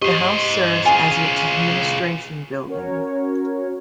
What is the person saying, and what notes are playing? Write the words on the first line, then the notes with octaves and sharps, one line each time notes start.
The house serves as its administration building.
G4 C5 D#5
F4 G#4 G#5
C#4 F#4 A#4 C#5